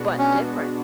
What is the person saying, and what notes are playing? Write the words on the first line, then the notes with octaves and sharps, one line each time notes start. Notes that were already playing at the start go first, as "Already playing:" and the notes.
But different.
Already playing: B2 G#3 B3 D4 F#4
C#4